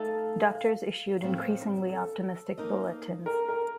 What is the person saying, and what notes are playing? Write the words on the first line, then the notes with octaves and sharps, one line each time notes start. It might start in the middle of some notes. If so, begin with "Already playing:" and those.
Doctors issued increasingly optimistic bulletins.
Already playing: A3 D#4 A4 F5
A2 F3 C4
A4
A#3 D#4 A#4 D#5
A#4
A#4